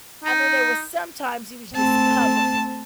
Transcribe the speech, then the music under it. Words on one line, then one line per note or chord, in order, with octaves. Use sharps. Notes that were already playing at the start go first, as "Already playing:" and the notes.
And then there was sometimes he was just covered,
D#4
A3 C4 A5